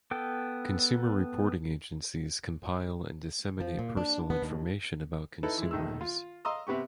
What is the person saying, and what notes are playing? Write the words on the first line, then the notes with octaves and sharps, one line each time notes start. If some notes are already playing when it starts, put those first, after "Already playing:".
Consumer reporting agencies compile and disseminate personal information about consumers.
B3 A4 G5
F3
A#2
D4
B3
D#2
D#4 E4 A4 B4
E3 G#3
A#1 D#3 A3 E6
F4
D#5 F5 A#5 C6 D#6 E6
C3 B3 G4 C#6